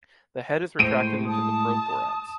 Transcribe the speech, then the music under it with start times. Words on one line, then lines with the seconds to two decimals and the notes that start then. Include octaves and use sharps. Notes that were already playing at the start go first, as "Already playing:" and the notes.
The head is retracted into the prothorax.
0.79 A2 G#3 C5 C#5 D7 D#7
1.26 A5 D#6